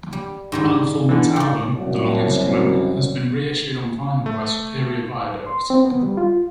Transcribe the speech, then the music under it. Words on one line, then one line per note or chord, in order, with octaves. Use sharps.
Ellen Fullman's album "The Long Instrument" has been reissued on vinyl by Superior Viaduct.
G3
G#2 D#3 G3
D3 E3
D#4 D5
C2 F#2
A3
C6
C4
B3
G3
F4